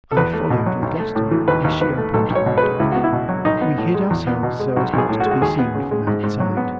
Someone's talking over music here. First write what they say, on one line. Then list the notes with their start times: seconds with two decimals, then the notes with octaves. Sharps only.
I followed with Gaston as she opened the window. We hid ourselves so as not to be seen from outside.
0.11 A4
0.17 E2 B4
0.33 A3
0.50 B2
0.66 F#3
0.82 B1
0.99 A3
1.15 A2
1.31 E3
1.48 D#2 B4
1.64 D#2
1.81 D#3 B4
1.98 A3
2.14 B1 A4
2.30 B1
2.35 C#5
2.46 B2
2.58 B4
2.63 G#3
2.80 C#2 E4
2.92 B3 F#4
3.04 E4
3.12 B2
3.29 F#3
3.45 B1 D#4
3.61 B3
3.78 A2
3.94 G#3
4.10 E2
4.27 B3
4.43 B2
4.59 G#3
4.76 B1 F#4
4.93 B1
4.98 G#4
5.09 A2
5.20 F#4
5.26 G#3
5.31 F#4
5.41 D#2 G#4
5.59 B3
5.75 C#3
5.91 G#3
6.07 G#2
6.23 G#2
6.40 F#3
6.57 B3